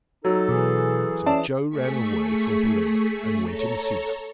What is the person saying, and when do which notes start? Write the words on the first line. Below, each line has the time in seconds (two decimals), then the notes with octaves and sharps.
So Joe ran away from Palermo, and went to Messina.
0.25 F#3 D#4 A4
0.49 B2 E3 G#4
1.26 C#4 D5 E5 A5
1.70 A3 G#4 C#6 B6
3.43 A4 C#5 A#5